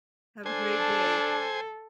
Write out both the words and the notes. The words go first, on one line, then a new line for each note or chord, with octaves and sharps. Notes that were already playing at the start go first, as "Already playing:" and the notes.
Have a great day.
D4 A4 C5 G#5